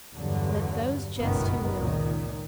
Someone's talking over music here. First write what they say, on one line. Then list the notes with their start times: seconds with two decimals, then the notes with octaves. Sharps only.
Let those jest who will.
0.14 E2 G2 D3 F#3
1.16 G1 C#2 F#2 B2 D#3 B3
1.74 C#2 A#2 D#3